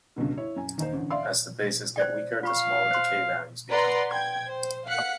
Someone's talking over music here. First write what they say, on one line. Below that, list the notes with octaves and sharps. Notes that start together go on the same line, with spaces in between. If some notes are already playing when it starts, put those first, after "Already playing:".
As the bases get weaker, the smaller the K values become.
C#2 G2 B2 D3
E4 C#5
F#2 G#5
D#2 D#4 C5
A1 D2
D5 E5 F5 C6
C5 D5 G5
F4 F5 B5 C#6
C5 C6
B4 D5 F#5 A#5 C6
G5 G#6
C5
F5 F#5 F#6 B6 C#7